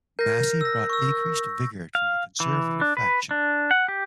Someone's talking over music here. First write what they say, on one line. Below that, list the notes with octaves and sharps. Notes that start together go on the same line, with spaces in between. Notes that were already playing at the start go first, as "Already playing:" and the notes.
Massey brought increased vigour to the conservative faction.
A#4 G6 A#6
E6 A#6
C#6 E6
F5
E3
D4
B4
D4
F#5
G4